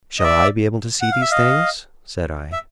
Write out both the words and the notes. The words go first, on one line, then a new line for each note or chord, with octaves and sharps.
"Shall I be able to see these things?" said I.
D#5
D5 E5
F#5
F5
E5
D#5 F5
E5